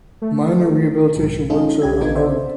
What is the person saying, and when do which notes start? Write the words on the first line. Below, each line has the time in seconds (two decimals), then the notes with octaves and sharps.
Minor rehabilitation works are ongoing.
0.22 A3
1.16 B1 G#2
1.50 G#3 C#4 D#4 F4 G#4 A4
1.82 C2 G4 G#6
2.01 A#1 D#3 B3 D#4 F4 G#6
2.15 C5 D5 E5